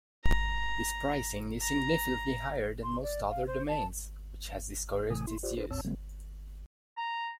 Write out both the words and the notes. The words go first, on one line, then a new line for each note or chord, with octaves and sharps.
This pricing is significantly higher than most other domains, which has discouraged its use.
A#5
A#5
C6
D5
F5
C5
A5
A2 C3 E3 A3 G#5 D#6
E4 C6
F4 G4 C5 D5
D4 G#4 B4 C5
D2 G#2 C4 C#5 A5 E6
C#3 F#3 G3 A3 A#3 C4
A#5